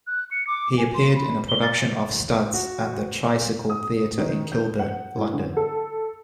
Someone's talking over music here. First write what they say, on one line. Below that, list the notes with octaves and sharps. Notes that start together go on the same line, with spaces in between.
He appeared in a production of "Studs" at The Tricycle Theatre in Kilburn, London.
F#6
C#7
D6
G#5
C6
B5
G7
A6
F#4
D#6
D#3
G6
F#5
A2
D3
A4